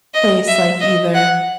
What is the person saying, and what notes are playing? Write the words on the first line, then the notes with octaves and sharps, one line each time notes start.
place, like, either
D#5
E5
D#5
F#5